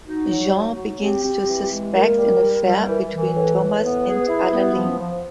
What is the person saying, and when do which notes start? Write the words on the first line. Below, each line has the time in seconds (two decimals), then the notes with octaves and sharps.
Jean begins to suspect an affair between Thomas and Adaline.
0.07 D#4 F#4
0.30 F#3
0.54 D#4
0.77 F#3
1.00 C4 G4
1.23 C4
1.47 E3
1.70 G#3
1.94 A#3 A#4
2.17 G3
2.41 G3
2.64 G3
2.88 E3 A#4
3.12 E3
3.18 A#4
3.35 A2 B4
3.58 A2
3.81 B3
4.05 G#4
4.28 E4
4.52 B3
4.75 F3
4.99 F3